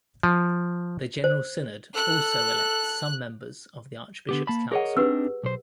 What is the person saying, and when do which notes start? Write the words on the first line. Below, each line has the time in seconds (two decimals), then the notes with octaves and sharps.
The General Synod also elects some members of the Archbishops' Council.
0.23 F3
1.24 C5
1.96 A4 F#6
4.29 D3 B3 G4
4.47 A#3 A5 B5
4.72 G#4 A#4 C#5 D#5 F#5
4.97 C4 D4 D#4 G4 B4 E6
5.43 B1 C5